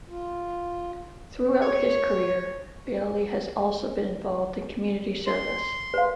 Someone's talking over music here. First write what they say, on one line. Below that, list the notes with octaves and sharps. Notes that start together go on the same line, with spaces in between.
Throughout his career Bailey has also been involved in community service.
F4
C#5
C6
B4 F5